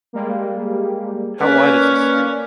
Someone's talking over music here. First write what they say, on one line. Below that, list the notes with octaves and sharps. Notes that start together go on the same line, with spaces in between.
How wide is this street?
G3 G#3 A#3
A#3 C#4 B4 D5